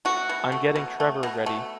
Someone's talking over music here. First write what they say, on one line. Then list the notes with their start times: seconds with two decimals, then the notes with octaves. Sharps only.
I’m getting Trevor ready!
0.05 A3 F#4
0.29 B2
0.52 A3
0.76 B2
1.00 A3
1.23 B2
1.46 A3